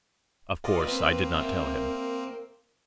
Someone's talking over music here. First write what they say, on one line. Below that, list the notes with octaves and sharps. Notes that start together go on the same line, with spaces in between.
Of course I did not tell him.
F4 D5 D#5
A#3 C4 B4
A#4 E5